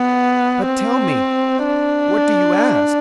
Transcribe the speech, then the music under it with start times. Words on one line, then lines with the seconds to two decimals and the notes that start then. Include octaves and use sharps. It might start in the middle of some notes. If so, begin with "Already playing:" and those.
"But, tell me, what do you ask?"
Already playing: B3
0.65 C4
1.66 D4